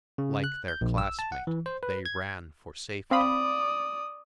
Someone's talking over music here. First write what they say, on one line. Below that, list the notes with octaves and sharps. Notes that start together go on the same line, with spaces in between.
Like their classmate, they ran for safety.
C#3
F#6
G6
A#1
E6
A5
F#5
E3
C5
B4
G#6
C4 D5 F5 B5 D#6